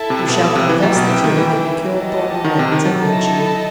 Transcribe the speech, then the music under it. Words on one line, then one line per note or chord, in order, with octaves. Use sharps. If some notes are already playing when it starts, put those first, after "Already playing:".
"You shall confess the truth that you killed Thornton Lyne," said Ling Chu.
Already playing: E4 A4 E5 A5
C3
B2
B2
C3
E3
F#3 E4 B4 E5 G5
B2
C3
D#3
E3
G4 D#5 F#5 A5
D#3
C3
D#3
F#3
E4 A4 D#5 A5